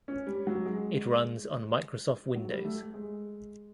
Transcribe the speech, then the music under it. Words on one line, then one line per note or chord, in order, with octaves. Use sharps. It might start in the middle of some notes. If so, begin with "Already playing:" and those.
It runs on Microsoft Windows.
C#4
G3
F#3
G#3
F#3
G3
A3
G#3